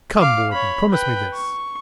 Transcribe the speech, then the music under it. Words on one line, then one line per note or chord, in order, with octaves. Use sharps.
Come, warden, promise me this.
F5 D6
C#5 B5
B4 G5
C#6